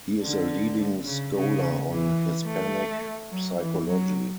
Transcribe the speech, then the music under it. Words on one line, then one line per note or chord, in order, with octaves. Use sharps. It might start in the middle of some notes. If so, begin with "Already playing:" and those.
He is a leading scholar on Hispanic psychology.
D3
C#3
C#3
E3
A3
F#3
E3
F#3